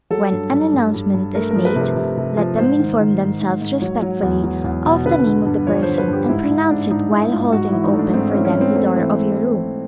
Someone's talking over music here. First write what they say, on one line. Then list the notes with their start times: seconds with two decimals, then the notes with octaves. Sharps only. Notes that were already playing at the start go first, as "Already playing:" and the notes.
When an announcement is made, let them inform themselves respectfully of the name of the person, and pronounce it while holding open for them the door of your room.
0.10 F#3 A4
0.32 G2
0.52 G2
0.73 G2
0.94 G2
1.14 G2
1.35 A3 A#4
1.51 F3 A#4
1.65 B4
1.76 C3
1.81 B4
1.96 C3
2.17 C3
2.37 F3
2.58 G#2 C5
2.79 D#3
3.00 D#3
3.20 G#2
3.41 G#2
3.61 G#2
3.82 F#3 C#5
4.02 F#3
4.23 E2
4.44 F#3
4.64 E2
4.85 B2
5.05 D3 B4
5.26 D3
5.46 G2
5.67 F3 C#5
5.83 C5
5.88 D3
5.98 B4
6.08 G2
6.13 G4
6.29 G#2 E4
6.49 G#2
6.70 G#2 D4
6.90 G#2 D#4
7.11 G#2 E4
7.32 G#2 F4
7.52 G#2 F#4
7.68 E3 E4
7.84 D#4
7.93 A3
7.99 D4
8.14 G#2 C4
8.30 C#4
8.35 E3
8.45 C#4
8.55 G#2
8.61 C4
8.76 A3 C4
8.96 E3